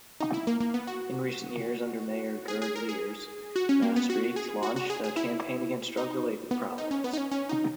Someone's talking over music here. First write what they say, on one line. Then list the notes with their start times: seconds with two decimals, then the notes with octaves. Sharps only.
In recent years, under mayor Gerd Leers, Maastricht launched a campaign against drug-related problems.
0.20 D#4
0.34 E4
0.47 A#3
0.61 A#3
0.74 B3
0.87 F#4
2.48 G#4
2.62 G#4
2.76 A#4
2.89 G#4
3.56 F#4
3.69 C#4
3.82 A#3
3.96 B3
4.10 F#4
4.36 G#4
4.63 F#4
4.76 F#4
4.90 G#4
5.04 G#4
5.16 E4
5.97 D#4
6.51 B3
6.78 D#4
6.91 C#4
7.04 B3
7.13 D#4
7.18 C#4
7.32 C#4
7.49 D#4